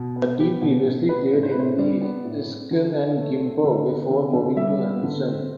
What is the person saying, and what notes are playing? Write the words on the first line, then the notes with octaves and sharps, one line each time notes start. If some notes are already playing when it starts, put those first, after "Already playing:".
The team previously played in Iksan and Gimpo before moving to Ansan.
Already playing: B2
B3
B3 G4
B2
B2
B3 B4
A2
C5
B4
A2 C5
G3 D5
B3
A2
C4
D3
D3
A3
C4
D3
B3
D3
D3
G3 E5
B3
D3
C4